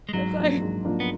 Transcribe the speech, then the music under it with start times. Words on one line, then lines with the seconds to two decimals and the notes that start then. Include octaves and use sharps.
It's like,
0.09 G#3
0.13 G#2 F#3
0.38 F3 A#3 D4
0.62 G#2
0.85 F3 A#3 D4
1.00 B3